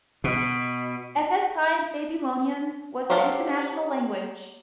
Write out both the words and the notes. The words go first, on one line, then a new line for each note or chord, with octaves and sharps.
At that time Babylonian was the international language.
B2
F#3 G4 C5 F5 A5